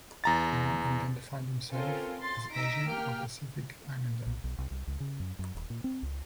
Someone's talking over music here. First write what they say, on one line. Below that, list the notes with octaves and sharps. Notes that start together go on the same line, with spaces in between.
No one identified himself as Asian or Pacific Islander.
E2 A#5 A6
C4 C#4 F4 A4 A#4
C6 A6
D#4 E6 A#6 B6 D7
A#3 G4 G5 F6
B1
B1
C2
C2
C#2
C#3
F#2
F#2
D#1
A#2
C4
C#2